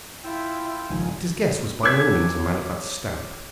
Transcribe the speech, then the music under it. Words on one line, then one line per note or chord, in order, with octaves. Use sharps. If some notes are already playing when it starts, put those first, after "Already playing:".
But his guest was by no means a man of that stamp.
E4 F4 G5 E6
G1 C#2 D#3 F3 G#5
C#5 D6 E6 F#6 G#6 B6